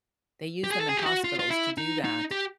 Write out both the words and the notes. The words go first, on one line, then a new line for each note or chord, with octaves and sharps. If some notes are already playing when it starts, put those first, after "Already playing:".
they use them in hospitals to do that.
G4
G#4
A4
G#4
G4
F#4
F4
F4
E4
D#4
D#4
G4